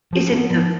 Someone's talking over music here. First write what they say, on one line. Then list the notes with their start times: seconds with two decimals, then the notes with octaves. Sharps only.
is it the v
0.13 F3
0.31 B3
0.50 F3